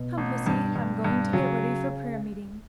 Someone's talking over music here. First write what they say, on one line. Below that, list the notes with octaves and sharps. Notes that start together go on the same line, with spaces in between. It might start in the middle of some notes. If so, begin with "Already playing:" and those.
Come, pussy, I'm going to get ready for prayer meeting.
Already playing: B2
A1
G2
G2
G2
C#3 F#3